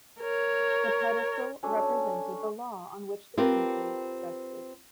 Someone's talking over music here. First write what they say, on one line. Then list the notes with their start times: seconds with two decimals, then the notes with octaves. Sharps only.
The pedestal represented the law on which the country rested.
0.21 A#4 C#5
1.63 F#3 C#4 D4 A4
3.37 C4 F4 G4 A#4 B4